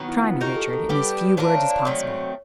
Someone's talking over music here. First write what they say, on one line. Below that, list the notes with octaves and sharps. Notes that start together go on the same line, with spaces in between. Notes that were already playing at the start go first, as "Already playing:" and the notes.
"Try me, Richard, in as few words as possible."
Already playing: D#3 F#3 B3
E4
F4
A#3 D#4 F#4 G4 A#4
A4
A4
G3 B3 D4 G4 B4
A3 D4 F4 A#4 C5
C#5
D5
D#3 F#3 A3 C4 C#5